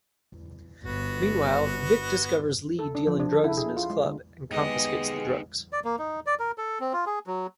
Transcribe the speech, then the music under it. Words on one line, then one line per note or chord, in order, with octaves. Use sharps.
Meanwhile, Vic discovers Lee dealing drugs in his club and confiscates the drugs.
G1 B3 F#4
A4
D4
F3
D4
A4
E4
G#4
F4
G#3
D3
G#3 B3 D#4 G4 D#5
D5
A#3
D#4
D5
A#4
A4
C4
F4
G#4
F#3